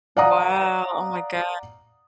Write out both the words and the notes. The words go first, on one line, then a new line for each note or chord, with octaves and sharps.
Wow, oh my gosh.
D5 F5 F#5 A#5 D#6